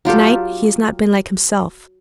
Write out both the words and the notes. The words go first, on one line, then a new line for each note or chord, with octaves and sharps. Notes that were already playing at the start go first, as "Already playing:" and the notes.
'To-night he has not been like himself.
F#3 F4 G4 A4